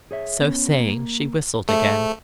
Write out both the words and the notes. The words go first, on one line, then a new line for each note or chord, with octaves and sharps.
So saying, she whistled again.
G#4 C#5 E5
B3 C#4
A#3
A3 G#4 C5 E5